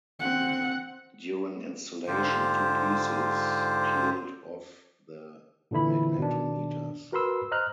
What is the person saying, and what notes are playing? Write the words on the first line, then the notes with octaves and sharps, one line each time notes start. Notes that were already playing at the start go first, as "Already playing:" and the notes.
During installation, two pieces peeled off the magnetometers.
C4 F#5
G#2 D3 F4 G4 C5
A#2 D3 E3 E4 B5
B2 D#3 D4
F#4 A#4 B4 B5 C6 E6
C5 D#5 A#5 F6 F#6